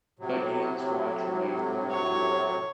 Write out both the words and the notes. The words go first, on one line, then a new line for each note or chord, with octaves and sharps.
But Ian's watch remains in working order.
A2 C3 F#3
C#5